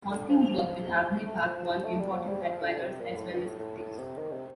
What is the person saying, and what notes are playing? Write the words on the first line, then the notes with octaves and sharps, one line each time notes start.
Hosking's work at Abney Park won important admirers, as well as critics.
D3
F3
F3
A3
F3
F3
A3
G3
F3
G3
F3
D3
C3
A#2
A2
G2
A2
A2
A2
C3
D#3
C3